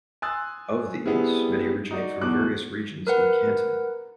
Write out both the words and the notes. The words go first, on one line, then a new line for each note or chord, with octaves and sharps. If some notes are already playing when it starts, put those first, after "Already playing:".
Of these, many originate from various regions in Canton.
G#5 C6 D#6 E6 F#6 A6
G3 B3 C4 E4 G#4
D#4 F#4 D5
E2 B2 D6 F#6
A#4 B4 F#5